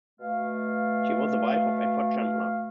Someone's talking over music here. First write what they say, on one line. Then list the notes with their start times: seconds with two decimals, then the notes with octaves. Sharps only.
She was the wife of Edward Chandler.
0.20 B2 A3 F5